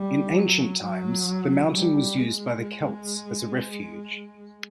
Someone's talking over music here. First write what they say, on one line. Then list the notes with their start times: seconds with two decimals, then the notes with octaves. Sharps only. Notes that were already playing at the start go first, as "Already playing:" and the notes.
In ancient times the mountain was used by the Celts as a refuge.
Already playing: G3
0.38 F#3
0.83 F#3
1.72 G3
2.17 G#3